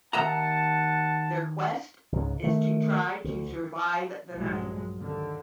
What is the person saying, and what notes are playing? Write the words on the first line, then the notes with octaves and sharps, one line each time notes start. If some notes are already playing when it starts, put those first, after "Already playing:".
Their quest is to try to survive the night.
D#2 E5 F#5 A5 A#5
C#2 G#2
D#3 A3
D2
A#1 G2 F#3 G#3
D#2 D3